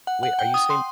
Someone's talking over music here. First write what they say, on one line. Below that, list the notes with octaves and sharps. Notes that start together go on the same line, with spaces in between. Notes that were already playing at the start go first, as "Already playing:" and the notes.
Wait, are you saying
F#5
F#5
G5
D#6
C6